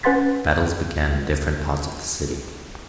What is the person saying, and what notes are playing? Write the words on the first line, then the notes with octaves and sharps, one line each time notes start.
Battles began in different parts of the city.
C#4 B4 F#5 C6 A6 B6